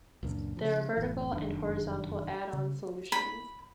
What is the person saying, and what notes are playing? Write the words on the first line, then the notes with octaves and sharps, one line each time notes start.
There are vertical and horizontal add-on solutions.
C#2 F#2 A#2 D4
C#3 F3
F#1 A2 E3
F1 F#2 D#3 D4
C#3
B5